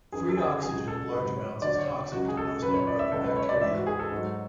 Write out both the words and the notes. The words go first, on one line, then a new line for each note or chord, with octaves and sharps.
Free oxygen in large amounts is toxic to most anaerobic bacteria.
F#2 E3 G#4
A4
G#4
C#2 C#3 F#3 G#4
A4
G#2 F#3 B4
C#5
D2 D3 F#3 D5
C#5
C#2 C#3 F#3 F#4
G#4
A4
F#2 C#3 F#3 B4
C#5
D5
E5
C#2 B2 F#3 A4
B4
C#5
D5
G#2 E3 E5
F#4
G#4
A4
G#2 F#3